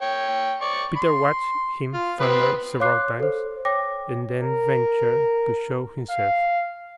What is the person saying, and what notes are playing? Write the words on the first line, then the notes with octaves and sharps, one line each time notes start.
Peter watched him thunder several times and then ventured to show himself.
C#5 G5
D5 C#6
C6
F4
B3 C4 B4
C#5 F5 C6 D6 F#6 C7
A4 C5
C#5 G5 D6 A#6
A#4
F5